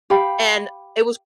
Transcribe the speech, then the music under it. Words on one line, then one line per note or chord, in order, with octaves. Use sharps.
and it was
G4 F5 G5 B5